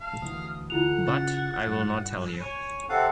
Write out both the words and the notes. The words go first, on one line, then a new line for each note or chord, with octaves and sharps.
But I will not tell you.
F5 A5
D2 E3 D#6
D3 E4 F4 F#5 F7
C#3 A6
G2
C#5 G#5
C3 C4 A4 F5 F#5